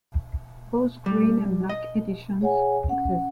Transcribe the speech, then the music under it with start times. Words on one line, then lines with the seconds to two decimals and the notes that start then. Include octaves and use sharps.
Both green and black editions exist.
1.06 G3
1.69 D#5
2.41 G#4 C#5 F#5 G#5
2.88 C#4 F#5